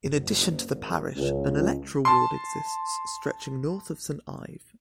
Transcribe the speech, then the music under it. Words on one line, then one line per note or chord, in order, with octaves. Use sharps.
In addition to the Parish an electoral ward exists stretching north of Saint Ive.
F#1
G#1
C#2
A5 C6